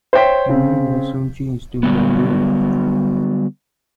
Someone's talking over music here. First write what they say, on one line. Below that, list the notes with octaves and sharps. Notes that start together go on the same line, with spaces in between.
The name was soon changed to Monroe.
C5 C#5 E5 G5 C6 B6
C#3 C4
D3 F#3 G3 B3